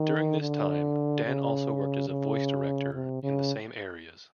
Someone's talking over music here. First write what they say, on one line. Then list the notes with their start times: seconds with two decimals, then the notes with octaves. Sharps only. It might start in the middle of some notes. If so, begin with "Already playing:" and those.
During this time, Dan also worked as a voice director in the same areas.
Already playing: D#3
0.41 D3
1.26 C#3
2.09 C#3
2.93 C3
3.23 C#3